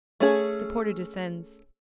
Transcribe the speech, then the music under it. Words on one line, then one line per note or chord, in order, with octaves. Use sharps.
The porter descends.
A3 C#4 G#4